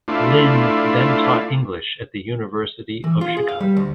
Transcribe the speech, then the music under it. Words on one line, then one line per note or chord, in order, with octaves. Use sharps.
Linn then taught English at the University of Chicago.
A3 D4 E4 F4
E3
F4
G#4
F5
G3
D2